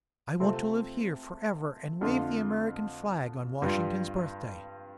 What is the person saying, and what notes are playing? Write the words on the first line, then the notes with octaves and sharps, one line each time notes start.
I want to live here for ever and wave the American flag on Washington's birthday.
C3 A3 C4 F4
F2 D3 A3 F4
G2 G3 F4